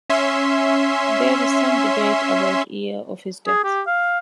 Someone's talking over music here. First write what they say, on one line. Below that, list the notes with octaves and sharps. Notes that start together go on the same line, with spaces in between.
There is some debate about the year of his death.
C#4 E5 C6
G#4
G4
F5